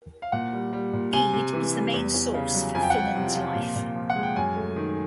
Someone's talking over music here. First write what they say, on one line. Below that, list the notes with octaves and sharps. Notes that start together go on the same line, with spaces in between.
Bede is the main source for Finan's life.
F5
A#2 F#5
G3
G3
A#2
C3 G#5
C3
E3
G3
E2
E2
C#3
F#3
F2 G#5
G5
F#5
F2 G5
C3
F3
A#2
A#2
F3
F#5
G#3
G5
F#2 G#5
A3
D#3